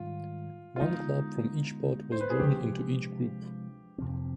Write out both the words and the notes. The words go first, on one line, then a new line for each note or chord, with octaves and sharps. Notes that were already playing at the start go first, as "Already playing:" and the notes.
One club from each pot was drawn into each group.
Already playing: G#2 D#3 G3 F4
F4
D3 G#3 B3 D#4
C5
B4
G#4
C3 F3 G#3 D4 G4
F2 C3 F3 C4